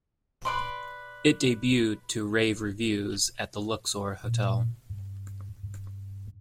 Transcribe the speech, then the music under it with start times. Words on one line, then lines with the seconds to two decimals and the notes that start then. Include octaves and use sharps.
It debuted to rave reviews at the Luxor Hotel.
0.45 B4 D5 C6
4.23 A#2
4.90 G2
5.63 G2